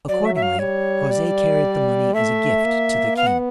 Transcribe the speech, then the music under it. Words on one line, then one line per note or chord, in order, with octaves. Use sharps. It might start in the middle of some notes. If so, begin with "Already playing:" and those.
Accordingly, Jose carried the money as a gift to the king.
F#3 D5
E5
E5
F5
G3 C#5
D5
A3 E5
A#3
B3 F5
F#5